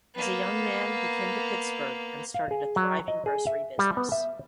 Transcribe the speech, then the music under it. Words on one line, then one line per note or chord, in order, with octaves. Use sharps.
As a young man he came to Pittsburgh and started a thriving grocery business.
A#3 B3
F5
G#4
F#3
D#5
G#4
E5
G3
B3
E5